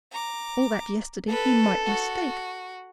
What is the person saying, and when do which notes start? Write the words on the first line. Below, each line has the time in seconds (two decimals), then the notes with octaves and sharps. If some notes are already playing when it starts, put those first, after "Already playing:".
All that yesterday, he might mistake.
0.12 A#5 D6
1.29 A4 B4
1.86 F#4